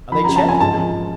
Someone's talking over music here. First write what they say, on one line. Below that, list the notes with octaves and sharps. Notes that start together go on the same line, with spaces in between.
"Are they checked?"
F3 B5
C#3 A#5
A5
F3 G#5
G#2 A5
F3